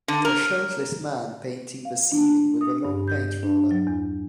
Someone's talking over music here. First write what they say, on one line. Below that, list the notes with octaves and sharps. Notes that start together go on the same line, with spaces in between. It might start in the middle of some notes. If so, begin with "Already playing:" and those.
A shirtless man painting the ceiling with a long paint roller.
D3
A#4
F5
D4
D#6
G2
G6
D4
F#3
E2